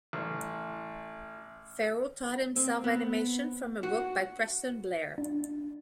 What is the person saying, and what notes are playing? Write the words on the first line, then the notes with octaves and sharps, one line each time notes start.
Ferro taught himself animation from a book by Preston Blair.
A1
C4
B3
F#4
D4